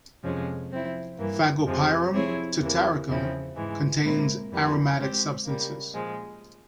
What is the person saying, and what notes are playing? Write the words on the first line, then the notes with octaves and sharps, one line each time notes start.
"Fagopyrum tataricum" contains aromatic substances.
F2 C3 F3 G#3 C#4
F3 C4 E4
G2 E3 A#3
F2 C3 F3 G#3
F3 C4 E4 G#4 C#5
E2 C3 E3 A#3
E2 C#3 F3 C4 E4
G#2 E3 G#3
A#2 G#3 C4 E4 A#4
F2 E3 G3 A#3
G#3 C4 G4 C5
C#3 G3 A#3
A#2 F3 G#3